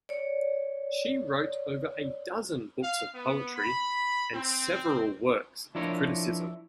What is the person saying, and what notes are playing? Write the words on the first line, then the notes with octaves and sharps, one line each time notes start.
She wrote over a dozen books of poetry and several works of criticism.
C#5 D5
F5
B3
B5
C4
F3 D4 E4 A#4 C#5